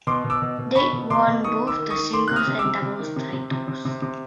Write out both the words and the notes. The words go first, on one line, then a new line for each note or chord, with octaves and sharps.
Date won both the Singles and Doubles titles.
B2 C6 D6
B2
D6 E6
B2
B2
B2 B5 C#6
B2
B2 C6 D6
B2
D#3 C#6 D#6
D#3
D6 E6
D#3
C#6 D#6
D#3
D#3 C6 D6
C3 F#6
D#6 F6
C3
D6 E6
C3
C3
D#3
C3
C3
C3
C3
C3
C3